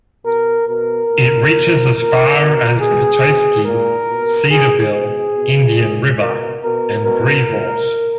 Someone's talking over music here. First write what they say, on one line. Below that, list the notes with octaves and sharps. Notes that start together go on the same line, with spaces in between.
It reaches as far as Petoskey, Cedarville, Indian River, and Brevort.
B2 A#4
B2 A#4
A#2
A#2
A#2 A#4
B2 A#4
B2 G#4
B2
A#2 A#4
B2
B2 G#4
B2 G#4
B2
A#2
B2 A#4
B2 A#4
B2 A#4
A#2